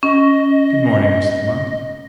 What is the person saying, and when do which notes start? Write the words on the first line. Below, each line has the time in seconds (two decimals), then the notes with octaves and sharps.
Good-morning, Mrs. Munt.
0.03 C#4 D#5